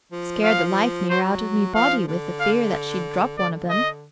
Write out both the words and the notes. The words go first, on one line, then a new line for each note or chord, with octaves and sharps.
Scared the life near out of me body with the fear that she'd drop one of them.
F3
F5
F#3 C5
F3 F5
D3
F5
D3 D5
D#5